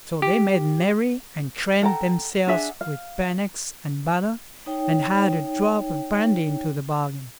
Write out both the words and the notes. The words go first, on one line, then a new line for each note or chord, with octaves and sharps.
So they made merry, and crammed themselves with bannocks and butter, and had a drop of brandy into the bargain.
G4
A4 F#5 G5 A#5
D4 G#4 E5 F#5
F5
D#4 C#5 G5